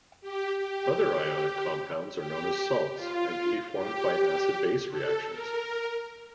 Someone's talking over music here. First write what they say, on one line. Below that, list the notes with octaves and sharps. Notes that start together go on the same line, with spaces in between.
Other ionic compounds are known as salts and can be formed by acid-base reactions.
G4
G4
G4
F4
G4
A4
A#4